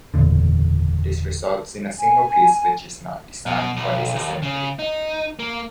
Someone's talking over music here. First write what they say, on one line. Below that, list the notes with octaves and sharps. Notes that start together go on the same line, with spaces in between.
This results in a single piece which is not designed for disassembly.
F#1 E2 A#2 D3
G#5
B2
B1
D#2
C#3
D#4
A#3